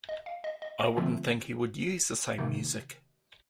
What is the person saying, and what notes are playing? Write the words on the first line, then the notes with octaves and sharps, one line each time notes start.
I wouldn't think he would use the same music.
D#5
F5
D#5
D#5
D#5
D3 F3 A3 C4 F4
C3 D#3 A#3 D#4